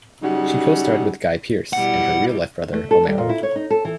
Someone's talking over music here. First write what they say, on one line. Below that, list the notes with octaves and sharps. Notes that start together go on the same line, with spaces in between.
She co-starred with Guy Pearce and her real-life brother, Omero.
C#3 F#3 G3 D#4 F#5
B2 G3 E4 F#5
A3
A4
G3
A#2
E4
C#5
D#4
A4
E3